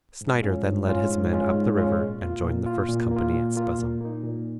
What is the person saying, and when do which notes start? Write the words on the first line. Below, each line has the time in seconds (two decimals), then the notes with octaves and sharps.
Snyder then led his men up the river and joined the first company at Spuzzum.
0.21 G#2
0.42 G#3 C#4 F4
0.65 G#2
0.88 G#3 C#4 F4
1.10 G#2
1.32 G#3 C#4 F4
1.54 G#2
1.77 G#3 C#4 F4
1.99 A#2
2.22 A#3 F4
2.44 A#2
2.66 A#3 F4
2.89 A#2
3.11 A#3
3.16 F4
3.33 A#2
3.56 A#3 F4
3.79 A#2
4.01 A#3 D#4
4.23 A#2